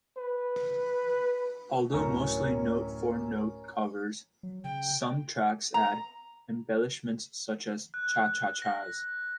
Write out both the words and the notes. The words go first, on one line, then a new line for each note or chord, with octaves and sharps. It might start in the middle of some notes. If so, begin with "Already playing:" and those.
Although mostly note-for-note covers, some tracks add embellishments such as "cha-cha-chas".
B4
D1 F#2 E3 C#4 A#4 C#5
F#3
C#3 G5
A#5
F#6
A#6